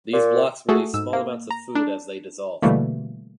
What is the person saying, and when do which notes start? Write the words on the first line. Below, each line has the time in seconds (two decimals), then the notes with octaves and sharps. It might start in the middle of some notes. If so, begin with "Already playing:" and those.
These blocks release small amounts of food as they dissolve.
0.13 A#2
0.69 A3 F#4 G#4 A4
0.94 G#2 E6
1.13 A#3
1.51 A#5
1.75 D4
2.62 B2 D3 E3 G3 A3 A#3